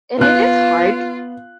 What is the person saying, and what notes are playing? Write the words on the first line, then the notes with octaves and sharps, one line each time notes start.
And it is hard
B3 F4 F#6